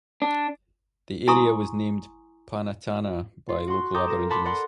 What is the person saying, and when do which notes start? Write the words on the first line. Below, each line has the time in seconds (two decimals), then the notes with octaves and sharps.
The area was named Panatana by local Aborigines.
0.22 D4
1.27 E4 G#5 A#5 C6 C#6 D#6
3.49 F4
3.67 F#4 C6
3.94 A4 G5 A#5 D6 D#6 G6
4.08 F4 A#4 E7
4.30 F#5 A5 B5 C6 D6
4.44 A4 A#4 D5 F#5 C6